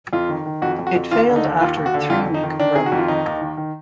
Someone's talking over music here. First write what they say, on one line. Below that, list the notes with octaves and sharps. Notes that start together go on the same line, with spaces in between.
It failed after a three-week run.
F2 F4
D#3
D#3
F2 F#4
F2
F#4
F2
D#2 F4
D3
D#4
D#2
D#2 F4
D#2
F#4
D3
F2 F4
F2
D#4
D#3
D#3 D4
D#3 G#4
F#4
F2
F4
D#3 D#4
D#2
D#3
D#3